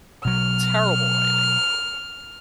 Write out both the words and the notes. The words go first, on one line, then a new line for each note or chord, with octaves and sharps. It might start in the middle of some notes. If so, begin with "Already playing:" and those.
Terrible writing.
B2 F#3 F6